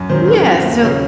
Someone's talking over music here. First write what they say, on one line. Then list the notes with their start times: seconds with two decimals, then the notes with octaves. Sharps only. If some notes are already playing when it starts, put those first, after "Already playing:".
yeah, so
Already playing: F#2
0.09 D#3 F#3 C5
0.28 F#2
0.46 F3 C4
0.63 D#2
0.83 C#3 F#3